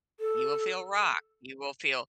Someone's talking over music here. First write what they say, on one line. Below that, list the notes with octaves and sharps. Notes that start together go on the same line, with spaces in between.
You will feel rock, you will feel
A4